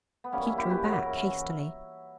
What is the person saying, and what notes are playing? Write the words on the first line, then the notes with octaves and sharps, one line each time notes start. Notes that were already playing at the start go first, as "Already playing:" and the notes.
She drew back hastily.
B3
F#2 E3 G3 A#3 C#4
C#4 E4
E4 G4
G4 B4
F#2 C#3 E3 F#4 A#4